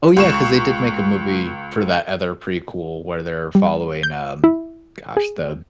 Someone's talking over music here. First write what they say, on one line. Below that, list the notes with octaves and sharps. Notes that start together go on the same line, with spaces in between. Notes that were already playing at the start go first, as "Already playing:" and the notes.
Oh, yeah, 'cause they did make a movie for that other prequel where they're following, um, gosh, the
C#2 C#6 E7
G3
G6
E4
G#4